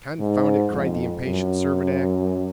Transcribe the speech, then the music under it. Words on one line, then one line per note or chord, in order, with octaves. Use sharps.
"Confound it!" cried the impatient Servadac.
G#2
F2
F#2